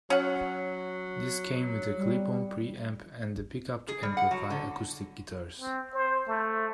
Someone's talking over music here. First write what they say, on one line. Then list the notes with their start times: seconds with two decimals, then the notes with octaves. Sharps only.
This came with a clip-on pre-amp and a pickup to amplify acoustic guitars.
0.10 F#3 C#4 F#5
1.95 G3
3.88 G#4
4.03 G3
4.17 F#5
4.31 F#3
4.50 D3
5.59 C4
5.94 C5
6.28 A3